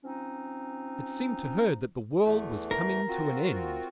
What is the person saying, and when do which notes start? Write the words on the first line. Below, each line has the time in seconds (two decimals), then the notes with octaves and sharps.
It seemed to her that the world was coming to an end.
0.03 F3 C4 C#4 D#4
2.24 E2 E3 A3
2.71 A#4
3.08 C4 F4 F#4